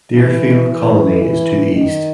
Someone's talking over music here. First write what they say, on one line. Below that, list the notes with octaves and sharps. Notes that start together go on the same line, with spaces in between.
Deerfield Colony is to the east.
E3
E3
E3
D#3